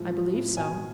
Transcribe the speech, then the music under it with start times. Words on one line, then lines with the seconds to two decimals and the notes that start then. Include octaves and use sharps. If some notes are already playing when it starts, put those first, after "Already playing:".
"I believe so."
Already playing: A2 F3 G#3
0.11 F3
0.33 A2
0.57 B2 G#5